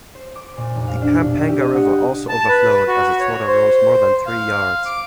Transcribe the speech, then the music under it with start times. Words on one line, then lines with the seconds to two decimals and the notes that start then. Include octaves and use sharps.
The Pampanga River also overflowed as its water rose more than three yards.
0.15 C5
0.35 D6
0.57 A#2
0.75 F1
0.88 F5
1.02 D4
1.19 B2
1.34 E5
1.48 G4
1.61 D#5
1.74 F#5
1.87 G5
2.29 A5
2.48 B4
2.88 F#4
3.20 C#5
3.47 C5
4.26 F5
4.86 D6